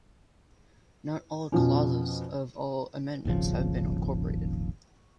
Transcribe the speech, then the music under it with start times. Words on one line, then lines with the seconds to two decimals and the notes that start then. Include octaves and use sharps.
Not all clauses of all amendments have been incorporated.
1.52 F2 B2 F3 C#4
3.25 D#1 G#1 C#3 F3